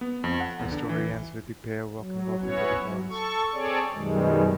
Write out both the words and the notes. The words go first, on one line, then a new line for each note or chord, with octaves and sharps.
The story ends with the pair walking off into the forest.
B3
F2
F#5
E2
D3
E3
F#3
B3 C#4 E4 F#4 C#5
F#3
A4 C#6
C4 G#4 A4 C#5 D5
F#2 B2 D#3 G3 G#3